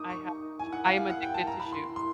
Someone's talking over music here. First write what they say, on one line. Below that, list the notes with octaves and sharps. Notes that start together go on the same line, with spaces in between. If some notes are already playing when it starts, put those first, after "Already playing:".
I have sh I am addicted to shoes.
Already playing: D#4 D6 D#6
C#6
E4 G#5
F#5
F5
F5
F#5
G5
A5
A#5
E4 B5
C6
C6